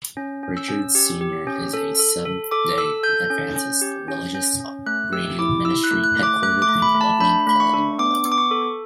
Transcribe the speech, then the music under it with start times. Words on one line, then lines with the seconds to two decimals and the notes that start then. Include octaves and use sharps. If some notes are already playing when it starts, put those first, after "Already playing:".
Richards, Senior is a Seventh-day Adventist religious radio ministry headquartered in Loveland, Colorado.
0.17 C#4
0.43 C#4
0.57 E6
0.69 C#4
0.95 G4
1.21 G4
1.47 C#4
1.74 A4
1.99 A4
2.25 A4
2.51 A4 D6
2.78 A4 E6
3.03 A4 G6
3.30 C#4
3.56 C#4
3.82 G4
4.08 C#4
4.34 C#4
4.60 C#4
4.86 A3 F#6
5.12 G4 E6
5.39 E4 D6
5.65 E4 E6
5.84 F#6
5.91 A3
6.04 F#6
6.17 A3
6.23 D6
6.43 A3 F#6
6.62 D6
6.69 A3
6.82 B5
6.94 A3
7.01 A5
7.21 D4 B5
7.47 A3 B5
7.60 C#6
7.74 D4
7.99 B3 D6
8.25 B3
8.32 D6
8.38 C#6
8.51 A4